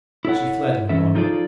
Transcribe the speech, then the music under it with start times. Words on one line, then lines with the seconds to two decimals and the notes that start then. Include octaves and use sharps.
She fled in alarm.
0.25 E4 A4 C#5 F#5
0.89 G2 E3 C#4 A4 E5
1.15 F3 D#4 F4 G#4 A4 D5